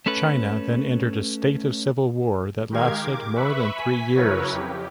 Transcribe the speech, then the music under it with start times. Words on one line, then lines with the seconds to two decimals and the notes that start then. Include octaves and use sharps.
China then entered a state of civil war that lasted more than three years.
0.06 A3 C#4 A4 B4
2.70 D#3 G#3 G4 A#4 F5 G#6
3.01 D6
3.35 B4 E5 B5 C#6
3.76 G#5 B6
4.15 C#3 F#3 E4 A#4 B4 C#5
4.52 F2 G4